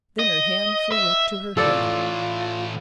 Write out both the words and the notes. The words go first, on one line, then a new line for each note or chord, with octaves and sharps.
Then her hand flew up to her head.
D#5
E5
A2 E3 F4 A4 D5